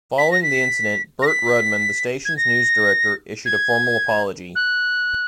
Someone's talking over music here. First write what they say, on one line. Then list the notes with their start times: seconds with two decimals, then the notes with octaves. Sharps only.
Following the incident, Bert Rudman, the station's news director, issued a formal apology.
0.18 B6
0.31 A#6
0.43 B6
1.22 A#6
1.27 B6
2.25 G#6
2.37 A#6
3.46 G#6
4.55 F#6